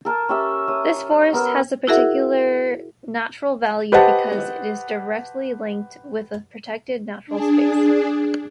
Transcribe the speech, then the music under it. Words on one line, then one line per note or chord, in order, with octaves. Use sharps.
This forest has a particular natural value because it is directly linked with a protected natural space.
A4 A#4 A5
C#4 G4 E5
C#5 D#6
B3 A#4 E6
E4 F#4 G#4 A#4 E5 F#5
G4 B4 C5 D#5 F#5 A5
D4 G#4